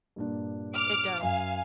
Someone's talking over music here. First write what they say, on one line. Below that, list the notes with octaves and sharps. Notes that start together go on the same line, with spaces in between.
It does.
G2 A#2 D4
D6 F6
F#2 F5 G#5